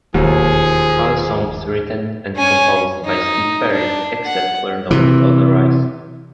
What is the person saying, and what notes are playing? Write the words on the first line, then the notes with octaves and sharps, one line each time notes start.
All songs written and composed by Steve Perry, except where noted otherwise.
E1 D#2 F3 G#4
C#4 G#5
D#4
D4
F#5
C3 E3